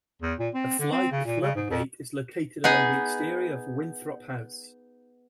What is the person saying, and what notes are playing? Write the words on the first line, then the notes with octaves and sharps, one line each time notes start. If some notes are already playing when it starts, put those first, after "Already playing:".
The Fly Club Gate is located along the exterior of Winthrop House.
E2
A#2
C4
D3
C4
C#3
A#2
C#3
G#2
F2
B3 D#4 G#4